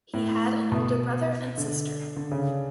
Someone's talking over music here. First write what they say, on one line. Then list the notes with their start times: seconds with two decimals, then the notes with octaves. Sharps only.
He had an older brother and sister.
0.14 A2
0.72 B2
1.58 D3
2.16 D3
2.31 C#3